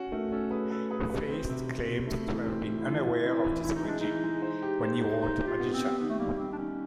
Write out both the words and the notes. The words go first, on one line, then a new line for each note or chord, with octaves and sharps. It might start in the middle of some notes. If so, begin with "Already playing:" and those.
Feist claims to have been unaware of this origin when he wrote "Magician".
Already playing: C#4 F#4
A3 A#4
C#4 A4
G#4 B4
A4 B4
G#4 B4
G4 B4
C4 F#4
C3
C3
C3
A3
E3
C4
E3
E4
E3 F4
E3
C4 E4
E3
E3 E4
D#4
G#3 D4
E3 D#4
G#3
C5
G4
C5
C5
D#4 C5
G4
F4
B3
C4
G4
D#3 B3
A3
G3 A#3
D#3 C4
D4
D#3 C#4